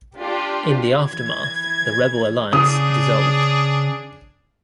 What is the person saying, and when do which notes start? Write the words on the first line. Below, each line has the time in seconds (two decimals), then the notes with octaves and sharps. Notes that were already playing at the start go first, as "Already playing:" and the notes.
In the aftermath, the rebel alliance dissolved.
0.19 D4 F4 G4
1.08 E3 G#6
2.53 C#3 D4 G#4 D#6